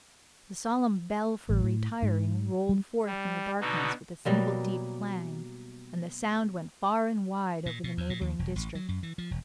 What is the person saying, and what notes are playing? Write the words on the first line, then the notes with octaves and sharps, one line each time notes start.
The solemn bell for retiring rolled forth in the darkness with a single deep clang, and the sound went far and wide over the neighbouring district.
A1
A2
G#2
G3
G3
B2 D3 D#4 F#4
B2 F#3 G3 A#3
A#2
B2
E2
A#2
D#2
E1
A1
F#3
F#2
E3
F3
E1